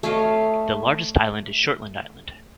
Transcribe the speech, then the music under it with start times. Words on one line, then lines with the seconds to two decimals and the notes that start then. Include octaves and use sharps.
The largest island is Shortland Island.
0.03 A3 C#5 D#5 F5